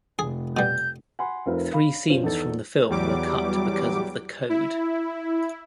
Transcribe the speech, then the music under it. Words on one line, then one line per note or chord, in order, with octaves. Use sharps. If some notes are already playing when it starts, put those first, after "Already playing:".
Three scenes from the film were cut because of the Code.
F1 G#4
B2 G3 G6
F#5 G#5 B5 C6
F1 C4 F4 A#4 B4
F5 B5
G1 F3 C#4 F4 C5
E2 D#4 A4 A6
E2 F#3 G3 D6
E4